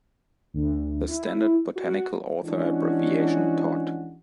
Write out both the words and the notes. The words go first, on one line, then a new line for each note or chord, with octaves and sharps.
The standard botanical author abbreviation Tod.
D2
E4
F#4
E3 F3 G#3 C#4 D4 F#4